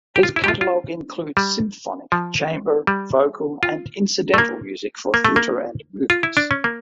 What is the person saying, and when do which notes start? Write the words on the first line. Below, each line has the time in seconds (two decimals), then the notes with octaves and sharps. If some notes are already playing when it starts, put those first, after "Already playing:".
His catalog includes symphonic, chamber, vocal and incidental music for theater and movies.
0.16 G4
0.23 F4
0.36 E4
0.44 G4
0.48 F4
0.61 F4
1.37 G3
2.12 F3
2.87 G3
3.63 F4
4.34 A3
4.38 A#3
5.14 A#3
5.25 A3
5.36 A#3
6.10 F4
6.23 E4
6.37 D4
6.51 C#4
6.64 A#3